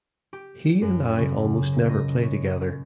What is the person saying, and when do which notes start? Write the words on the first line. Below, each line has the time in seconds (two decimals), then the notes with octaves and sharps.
He and I almost never play together.
0.33 G4
0.82 F#2
1.17 C#3
1.72 A#2
1.89 D#5
2.23 C#5